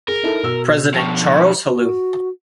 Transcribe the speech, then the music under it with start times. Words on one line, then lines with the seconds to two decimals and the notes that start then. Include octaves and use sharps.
President Charles Helou.
0.08 G#4 A#4
0.23 D#4 E4 A4
0.43 B2 E6
0.94 B2 F3 G5 A5 C#6
1.68 F#4